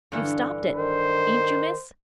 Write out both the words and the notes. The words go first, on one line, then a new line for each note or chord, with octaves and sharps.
"You've stopped it--ain't you, miss?"
G2 D3 E3
D#3 C5